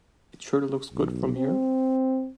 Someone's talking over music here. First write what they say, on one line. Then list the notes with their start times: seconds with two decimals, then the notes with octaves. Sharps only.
It sure looks good from here.
0.93 B1
1.36 C4